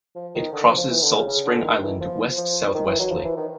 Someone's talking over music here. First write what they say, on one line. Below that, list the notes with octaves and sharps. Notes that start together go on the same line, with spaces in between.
It crosses Salt Spring Island westsouthwestly.
F3
D#3
D3
F3
F3
E3
D3
C#3
C#3
D3
D#3
E3
F3
F3
D#3
E3
F#3
F3
E3
D#3